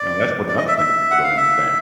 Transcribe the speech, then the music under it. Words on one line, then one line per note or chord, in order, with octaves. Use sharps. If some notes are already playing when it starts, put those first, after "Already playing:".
You know? That's what another thing that people don't understand.
Already playing: D5
D5
D#5
E5
E5
F#5
F5
E5